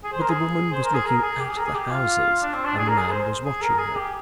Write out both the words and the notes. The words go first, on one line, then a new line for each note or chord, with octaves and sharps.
But the woman was looking at the houses, and the man was watching her.
G#4
C5
A#4
G#4
C5
A#4
G#4
A#4
G#4
G4
G#4
A#4
G#4
G4
F4
D4
C4
D4
G#4
A#4
G#4
C5
G#4
A#4
G#4
G4